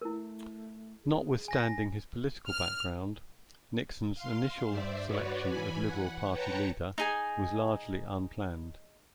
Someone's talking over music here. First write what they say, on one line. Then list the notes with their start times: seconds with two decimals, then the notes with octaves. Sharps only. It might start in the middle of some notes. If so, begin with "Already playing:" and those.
Notwithstanding his political background, Nixon's initial selection as Liberal Party leader was largely unplanned.
0.01 A3 E4 A#4
1.04 G#4
1.48 G#5 A#6
2.48 F6
4.15 F5 C6
4.68 G2 C5 D5 E5
5.07 F#4 B4 C#5 D5
5.48 E3 G#5 B5
5.84 F#5
6.30 B4 C#5 G5 A5 A#5 C#6
6.98 D#4 G#4 G#5